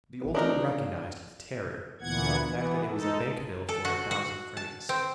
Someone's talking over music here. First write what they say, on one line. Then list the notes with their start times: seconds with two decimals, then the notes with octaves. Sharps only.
The old woman recognized, with terror, the fact that it was a bank-bill for a thousand francs.
0.21 A1 B3
0.35 A3 C4 D4 D#4 F#4 A#4
0.72 F5
2.01 D2 A#2 E3 B3 F#5 G#6
2.40 E3 B3
2.90 G#3 D#4 A4
3.69 A4
3.85 F#4
4.11 F#4
4.57 A5
4.89 C4